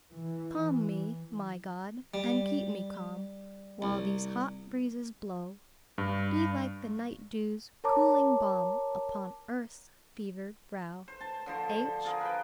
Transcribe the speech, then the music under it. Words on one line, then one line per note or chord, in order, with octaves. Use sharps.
"Calm me, my God, and keep me calm While these hot breezes blow; Be like the night-dew's cooling balm Upon earth's fevered brow." --H.
E3
G3
C2
G2
A#4 C#5 A5 A#5 D6
C5
C5 A5
D3 F3 C5
C5
F4 G#4 A#4
B4 G5